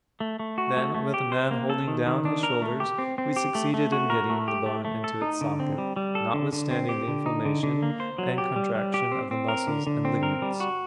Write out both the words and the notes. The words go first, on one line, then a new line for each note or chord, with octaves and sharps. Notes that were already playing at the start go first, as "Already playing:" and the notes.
Then, with a man holding down his shoulders, we succeeded in getting the bone into its socket, notwithstanding the inflammation and contraction of the muscles and ligaments.
A3
A3
F#4
A3
A3
G4
C5
A#3
A4
D#3
D#3
D4
A#4
A3
G4
C4
C4
G4
A3
A3
F#4
A#4
A3
G4
A3
A3
A4
D#4
D3
C4
G3
G3
A4
D3
D3
C4
G4
D3
D#4
D3
D3
A#3
C5
F#3
G4
G3
G3
G4
C4
C4
A#4
D3
D3
C4
A#4
G3
F#4